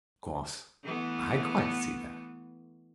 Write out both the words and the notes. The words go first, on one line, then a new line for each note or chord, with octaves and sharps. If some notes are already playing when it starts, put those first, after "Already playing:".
Of course I quite see that.
E3 A3 B3